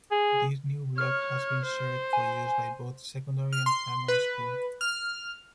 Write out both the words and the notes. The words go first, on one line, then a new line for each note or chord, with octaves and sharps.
This new block has been shared for use by both secondary and primary school.
G#4
C#5 F6
C5
G#5
F6
C6
B4
F6